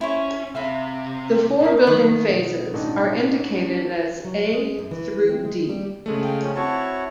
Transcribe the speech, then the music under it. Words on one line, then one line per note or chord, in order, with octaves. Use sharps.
The four building phases are indicated as a–d.
C#4 E4 C5 C#5
C3 E5 F5 B5
B2 D#4 A#4
D#3 F#3 B3
B2
A1 D4 D#4
C#4
F#3
G#3
F#2
E3
C4
G#3
G3
C#3 G#3 A3
F5 G5
F3 C#4
C4 E4 F#4 C#5 A5